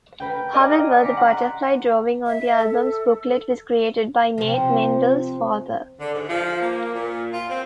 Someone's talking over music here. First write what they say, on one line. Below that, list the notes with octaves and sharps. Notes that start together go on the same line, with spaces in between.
However, the "butterfly" drawing on the album's booklet was created by Nate Mendel's father.
A#4 B4 G5
D5 D#5 F5 G5 G#5 A#5
F5 A#5 D6 B6 C#7
F#5 C6 F#6
E5
A4
C3 F3
D3
G#2
F3
A#3
A#2
F4
C4